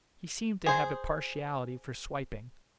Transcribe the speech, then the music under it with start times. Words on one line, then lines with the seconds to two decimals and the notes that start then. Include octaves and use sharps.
He seemed to have a partiality for swiping.
0.66 G#4 C5